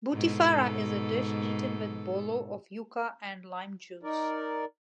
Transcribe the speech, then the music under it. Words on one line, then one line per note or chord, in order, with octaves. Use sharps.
Butifarra is a dish eaten with "bollo" of yuca and lime juice.
G#2 B2 A4
D#4 A#4 D5